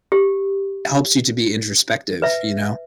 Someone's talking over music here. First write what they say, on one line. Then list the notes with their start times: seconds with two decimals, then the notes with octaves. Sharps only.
helps you to be introspective, you know?
0.12 G4
2.22 B4 E5